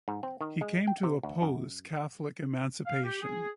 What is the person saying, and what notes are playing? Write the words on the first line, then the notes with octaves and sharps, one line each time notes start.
He came to oppose Catholic emancipation.
G#2
C4
D#3
G#3
G5
C3
D2
F#2
F5
G4
G#4